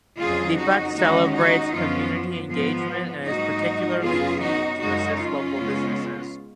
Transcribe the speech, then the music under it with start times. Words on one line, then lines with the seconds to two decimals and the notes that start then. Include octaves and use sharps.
Deepak celebrates community engagement and is particularly keen to assist local businesses.
0.19 F2 C#3 F#3 F4 G#4
0.57 D#4 F#4
0.96 D#2 D#3 G#3 C#4 D#4 F#4
1.34 D#4 F#4
1.72 F#2 F3 B3 C#4 F4
2.48 G#2 F3 B3
3.26 G#2 F#3 A#3 D#4 F#4
4.02 F#2 C#3 F#3 B3 F4 G#4
4.41 D#4 F#4
4.79 F#2 C#3 G#3 C#4 D#4 F#4
5.17 C#4 F4
5.55 C#3 G#3 B3